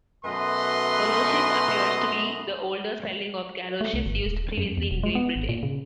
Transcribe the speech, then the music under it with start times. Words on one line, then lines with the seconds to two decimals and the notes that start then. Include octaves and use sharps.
"Goloshes" appears to be the older spelling of "galoshes" used previously in Great Britain.
0.25 F#2 B2 A3 B4 D#5 C6
3.81 A3
3.94 C2
4.06 G1
4.26 D#1
4.58 F#2
4.77 E2
4.91 E1
5.03 G#3
5.15 B3
5.36 G#1
5.49 A#2
5.63 C#3